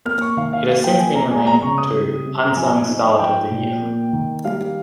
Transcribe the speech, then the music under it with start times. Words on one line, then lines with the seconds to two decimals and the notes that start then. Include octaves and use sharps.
It has since been renamed to "Unsung Starlet of the Year".
0.05 A#3 F6
0.21 C#6
0.37 D#3 F5
0.53 F5
0.68 A#3 F5
0.84 G5
0.99 F3 G#5
1.15 A#5
1.31 G#3 G#5
1.47 A#5
1.62 C#3 C#6
1.78 D#6
1.94 G3
2.25 C3
2.46 A#5
2.57 F3 G#5
2.88 D#4
3.19 F3 G5
3.51 A#2
3.82 A#3
4.13 D#3
4.45 G3 F5